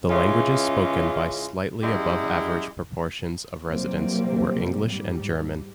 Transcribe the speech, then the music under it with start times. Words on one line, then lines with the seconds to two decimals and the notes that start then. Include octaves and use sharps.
The languages spoken by slightly above-average proportions of residents were English and German.
0.10 C#3 E3 G#3 C#4 F4
1.82 F#2 G3 G#3 E4 G4
3.69 C3 E3 F#3 G3 A#3 C4
4.86 G#2 G3